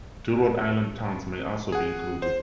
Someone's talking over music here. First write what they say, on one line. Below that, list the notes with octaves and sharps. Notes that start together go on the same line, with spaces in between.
Two Rhode Island towns may also be included.
G#4 F#5
C5